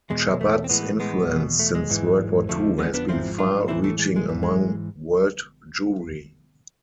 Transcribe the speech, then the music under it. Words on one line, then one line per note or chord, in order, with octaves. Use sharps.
Chabad's influence since World War Two has been far reaching among world Jewry.
E2 B2 G#3
G#3
A3
C4
A2 E3 G#3 B3
G#3 B3
E2 B2
A3
G#3
G#2 E3
F2 D3 F3 A3
G#3 B3
B3 D4
G#2 F3 C4 E4
D4 F4
A2 E3 C4 E4
A3
G#3
G#3
G#2 E3
G#3